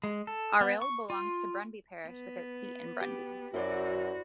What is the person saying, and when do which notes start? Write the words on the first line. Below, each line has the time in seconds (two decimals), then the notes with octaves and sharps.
Arild belongs to Brunnby parish with its seat in Brunnby.
0.04 G#3
0.27 A4
0.61 B3
0.82 C#6
1.10 F4
2.07 B3
3.01 G4
3.54 F#2 E4 F#4 C5 D5